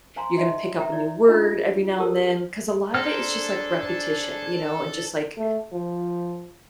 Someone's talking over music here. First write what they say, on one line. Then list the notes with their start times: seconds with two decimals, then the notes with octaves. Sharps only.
you're gonna pick up a new word every now and then, 'cause a lot of it is just like repetition, you know, and just, like,
0.16 C5 F5 G#5 A#5 C6
0.37 D#4 D#5 E5 C6
0.79 E5 G5 A#5
0.92 E4 C#5 D5
1.26 D4 D#4 F4 D#5 F5 B5
1.99 G4 A4 A#4 C5 A5 E6
2.95 D4 G#4 A4 C5 A#5 F6
5.37 A3
5.72 F3